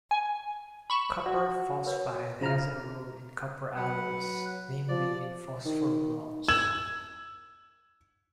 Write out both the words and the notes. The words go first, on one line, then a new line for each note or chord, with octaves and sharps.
Copper phosphide has a role in copper alloys, namely in phosphor bronze.
G#5
B5 C#6 E7
F#4 D5
A#4 B4 C#5
C#3 F4 C5 A#5 F6
F#3 B4 F#5
F3 D5
D#3
E6 G#6 E7 F#7